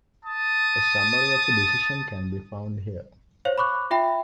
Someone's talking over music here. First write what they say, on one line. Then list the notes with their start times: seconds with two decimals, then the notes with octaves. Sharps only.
A summary of the decision can be found here.
0.24 A5 D#6
3.45 C5 C#5 F5
3.58 B5 C#6 D6 F#6
3.91 F4 E5 G5 B5